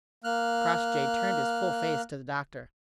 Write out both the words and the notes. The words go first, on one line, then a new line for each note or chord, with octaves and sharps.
Crossjay turned his full face to the doctor.
A#3 F6 F#6